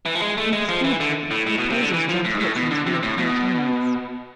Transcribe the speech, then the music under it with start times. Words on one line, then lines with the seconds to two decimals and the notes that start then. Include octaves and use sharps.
In his commentary he opposes John Tillotson's view of hell torments.
0.06 E3
0.15 F3
0.22 G#3
0.37 A3
0.53 G#3
0.69 F3
0.84 E3
1.00 D3
1.31 A2
1.46 A2
1.58 B2
1.70 C3
1.81 D3
1.93 E3
2.09 F3
2.25 A2
2.34 G#2
2.40 A2
2.56 B2
2.71 D3
2.86 C3
3.03 A2
3.18 B2